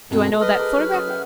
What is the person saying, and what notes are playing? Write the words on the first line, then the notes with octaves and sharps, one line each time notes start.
Do I know that photograph?
G2 B2 A3 C4 A#4
B4 D#5 F6
G#4 A#4 D6
F#3 C#5 F6
C#4 D#5
E5 F#5 G5